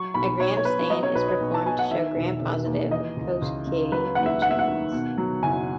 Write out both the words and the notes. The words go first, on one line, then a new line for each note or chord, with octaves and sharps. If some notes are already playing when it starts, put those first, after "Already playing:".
A Gram stain is performed to show Gram-positive cocci in chains.
Already playing: F#3 C#6
B1 B5
B1 C#5
C#5
B2 B4
F#3 D#5
C#5
B1 B4
C#5
B1
A5
B2 G#5
F#5
D#3 E5
E1
E1
D#2
E3 D#5
C#2
C#2
C#3
F#3 B4
D#2 F#5
E5
D#2 F#5
E5
F#5
D#3
B2
F#3
F#1 G#5